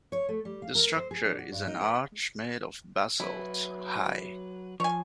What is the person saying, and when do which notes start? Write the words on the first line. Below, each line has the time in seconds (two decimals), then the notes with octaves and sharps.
The structure is an arch made of basalt, high.
0.12 C#5
0.29 A3
0.45 G3
0.62 F5
0.75 A#4
0.96 C5
1.11 G#4
1.25 D4
1.39 F#4
1.52 G2
1.67 D#4
1.81 B4
3.20 F#3 E4 B4
4.80 F3 C#5 G#5